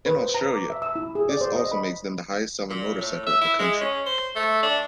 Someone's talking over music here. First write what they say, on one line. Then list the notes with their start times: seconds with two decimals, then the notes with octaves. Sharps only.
In Australia this also makes them the highest selling motorcycle in the country.
0.06 B4
0.18 C5
0.34 A#5
0.54 D6
0.70 E5
0.82 E6
0.96 E4
1.15 G#4
1.29 D5
1.41 C5
1.56 D#5
1.72 B5
2.70 A#2
2.98 A2
3.27 E5
3.41 E4
3.59 G#3
3.81 C#4
4.06 C5
4.36 A3
4.63 D4